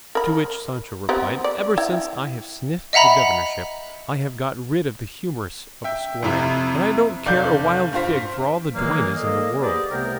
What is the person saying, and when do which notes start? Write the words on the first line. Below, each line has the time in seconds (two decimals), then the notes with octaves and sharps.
To which Sancho replied, "Ever since I have sniffed the governorship I have got rid of the humours of a squire, and I don't care a wild fig for all the duennas in the world."
0.15 A#4 B5
1.09 B3 C4 G4
1.44 D5
1.78 E4 G5
2.93 D#5 E5 F#5 A#5 B5
5.84 E5 G5
6.23 F2 C3 E4
7.26 F1 D5 F5 G6
7.93 G2 F4 C5 B6
8.75 A#2 D#3 E3 F#3 G#3 A#3
9.17 A#2 A#3 A4 D#5
9.60 B3 G4 G#4 C5 D5 D#5
9.91 C2 C3 A3 B3 A#4 G5